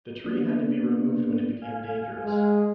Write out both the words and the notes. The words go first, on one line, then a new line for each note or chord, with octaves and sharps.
The tree had to be removed when it became dangerous.
A#3 B3 D4
F5 G#5
G#3